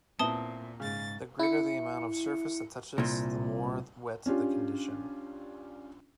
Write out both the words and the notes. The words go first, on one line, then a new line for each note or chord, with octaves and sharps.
The greater the amount of surface that touches the more wet the condition.
A#2 B3 C4 E4 A5 D#6 G7
G#2 C#3 A6
E4 C#7
C2 A#2
C#4 D4 F4 G4